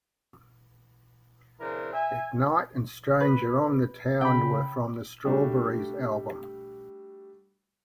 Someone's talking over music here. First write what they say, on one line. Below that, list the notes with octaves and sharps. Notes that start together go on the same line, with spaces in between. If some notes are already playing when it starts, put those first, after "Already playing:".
"Ignite" and "Stranger on the Town" were from the "Strawberries" album.
C#3 E3 C4 D4 A#4
E5 G#5
B4
C#3 G5 B5
G3 A3 D4 F#4